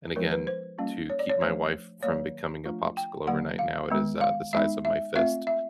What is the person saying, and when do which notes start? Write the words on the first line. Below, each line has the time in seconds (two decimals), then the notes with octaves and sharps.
And again, to keep my wife from becoming a popsicle overnight, now, it is, uh, the size of my fist,
0.15 F3 G#3 B3 D#4 A#4
0.31 B4
0.47 C5
0.78 G3 A#3 C#4 F4
1.10 C#5
1.19 D5
1.30 C#5
1.41 F3 A3 D4 C5
2.03 D#3 F#3 A#3 C#5
2.65 F3 A3 D4 F4
2.97 G5
3.27 D3 F#3 A#3 F#5
3.59 F5
3.90 D#3 G#3 B3
4.21 F5
4.53 G#3 B3 D#4 E5
4.85 E5
5.15 A3 C4 F4 E5
5.47 E5